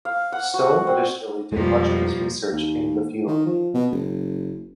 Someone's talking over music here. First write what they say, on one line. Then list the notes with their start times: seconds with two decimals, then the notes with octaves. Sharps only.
Stone additionally did much of his research "in the field".
0.05 F5
0.32 F#5
0.54 F#4
0.87 C4
1.52 F2 B2 F3 G3 G#3 A#3
2.53 D#2
3.27 D#3
3.46 F3
3.74 B2
3.91 F#1